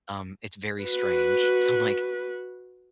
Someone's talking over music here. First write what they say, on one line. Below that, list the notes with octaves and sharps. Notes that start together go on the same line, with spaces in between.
Um, it's very strange. So, I'm like,
F#4 B4